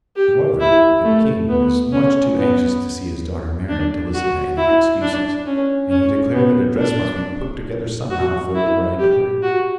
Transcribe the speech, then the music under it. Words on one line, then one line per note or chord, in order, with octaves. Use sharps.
However, the king was much too anxious to see his daughter married to listen to any excuses, and he declared that a dress must be put together somehow for the bride to wear.
G4
E4
A3
B3
C#4
B3
D4
F#4
E4
D4
C#4
C#4
B3
D4
F#4
E4
G4
F#4